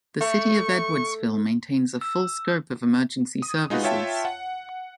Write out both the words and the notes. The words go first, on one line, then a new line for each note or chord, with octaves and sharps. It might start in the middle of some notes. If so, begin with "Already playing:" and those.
The city of Edwardsville maintains a full scope of emergency services.
A3 C#6
E6
D#6
G#3 D#4 F4 F#4 B4
F4 C#5 E5 G5 A5
F#5